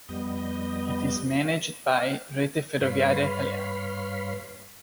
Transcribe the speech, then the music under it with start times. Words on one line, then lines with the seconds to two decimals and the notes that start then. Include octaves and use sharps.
It is managed by Rete Ferroviaria Italiana.
0.09 F2 G3 B3 D#5
2.81 G2 B4 C#5 F5 B5 C6